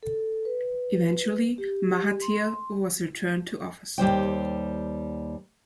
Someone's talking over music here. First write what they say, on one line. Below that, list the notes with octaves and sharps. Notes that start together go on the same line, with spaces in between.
Eventually, Mahathir was returned to office.
A4
B4
G4
C6
D#2 G3 C5 G5